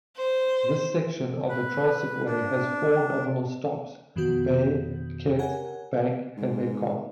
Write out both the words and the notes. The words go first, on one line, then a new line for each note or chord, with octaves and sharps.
This section of the Transitway has four nominal stops: Bay, Kent, Bank and Metcalfe.
C5
B4
D4
F2 B2 D#3 B3 F#4 G6
G4 A#4 C#5 F#5 G#5
G#2